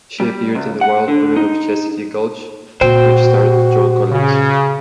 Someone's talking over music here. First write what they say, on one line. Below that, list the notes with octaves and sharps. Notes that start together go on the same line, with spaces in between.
She appeared in "The Wild Women of Chastity Gulch", which starred Joan Collins.
G3
C#2
F#5
D3
D#4
A#2 F#4 C5 G5
C#3